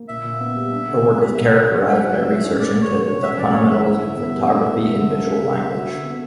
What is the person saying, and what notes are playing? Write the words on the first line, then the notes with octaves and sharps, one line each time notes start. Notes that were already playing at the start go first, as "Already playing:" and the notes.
Her work is characterized by research into the fundamentals of photography and visual language.
Already playing: A#3
A#2 E5
A#2
B3
G3
D4
D3
B3
G3
A#3 E5
A#3 F#5
E5
G4
F#5
D4 E5
F#3 F#5
F#3 E5
E4
C#4
A#3 D5
A#3
C#5
F#4
D4 C#5
C#4 E5
F#2 D5
A#3 C#5
E3 E5
E4 E5
D3
B3
G3
D4
E2
A#3
D3
C#4
G2
A#3
D3
F#4
D3
B3